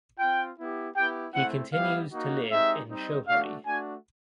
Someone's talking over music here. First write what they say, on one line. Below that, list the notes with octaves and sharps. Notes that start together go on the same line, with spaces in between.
He continues to live in Schoharie.
C4 F4 G5
B3 E4 G4
B3 E4 G4 G5
A3 C4 E4 F#5
G3 B3 E4 G4 F5
A#3 D#4 F#4
G#3 C4 D#4 G4 E5
G3 C4 D#4
A3 D4 F#4 F5
A3 D4 F#4 G#5